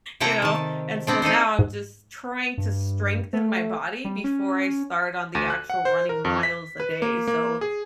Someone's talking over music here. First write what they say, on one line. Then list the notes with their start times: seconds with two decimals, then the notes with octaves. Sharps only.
You know, and so now I'm just trying to strengthen my body before I start on the actual running miles a day, so
0.20 C3 E4 A4 G5 A5 A#5
0.42 D#3 A5
1.07 B3 C4 D4
1.22 C4 D#4 A4 C5
1.59 G#2
2.58 G2
3.33 A3
4.05 G3
4.24 C#4
5.35 D2
5.50 F#6
5.70 F#5
5.85 C5
6.09 A#4
6.25 F2
6.43 B6
6.80 B4
7.02 A#3
7.28 A#3
7.61 G#4